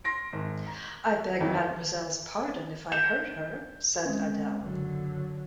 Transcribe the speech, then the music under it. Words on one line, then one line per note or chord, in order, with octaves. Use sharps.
"I beg mademoiselle's pardon if I hurt her," said Adele.
C6 A#6 D7
G#1
A#5
F2 D#3 E3 F#3
G6 E7
G#3 C4 C#4
F#1 D3 F#3